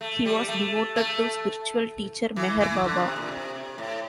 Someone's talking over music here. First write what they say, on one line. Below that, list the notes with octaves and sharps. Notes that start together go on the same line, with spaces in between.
He was devoted to spiritual teacher Meher Baba.
A3
G3
A3
A3
E3
E3
D3
C3
A#2
C3
C3
A2